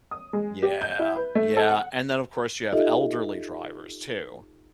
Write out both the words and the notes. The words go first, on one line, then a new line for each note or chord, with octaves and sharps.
Yeah, yeah, and then of course you have elderly drivers too,
D#6
G#3
G4
G6
E4
B4
A3
A4
F#5
D#4 F4 G4 A4 D#5 E5